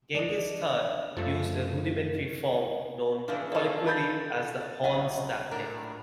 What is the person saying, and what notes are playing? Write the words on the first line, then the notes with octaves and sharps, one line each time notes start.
Genghis Khan used a rudimentary form known colloquially as the "horns" tactic.
D4 D#5
F#2 F3 A3
C#3 E3 F3 D4
F#3 F4 A4 D5 D#5 A5
B5 G6 A6
B1 A#2 F#3 D#5 F#5 G#5
A2 D4 A#4